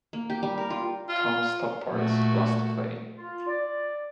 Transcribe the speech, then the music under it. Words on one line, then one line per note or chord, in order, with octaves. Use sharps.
Tom Stoppard’s last play.
A#3
G4
G3
A#4
F4
F4
A#2 A3 F#4
F4
D5